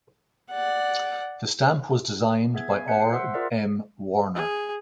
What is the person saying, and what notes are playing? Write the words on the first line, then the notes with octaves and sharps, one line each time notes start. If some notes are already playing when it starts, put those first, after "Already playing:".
The stamp was designed by R. M. Warner.
D5 F#5
B3 G#4 E5 G#6
F5 G#5
F#6 G6 B6 C#7
C7
C5 E5 F#5 C6 E6 F#6
F4 G#4 A#4 D5 E5 F5
G#4